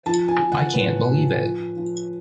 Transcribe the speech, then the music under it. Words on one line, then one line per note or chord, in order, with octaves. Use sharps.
I can’t believe it!
F3 A5
G#5
F3
F#5
A2 B4
F3
F3
F3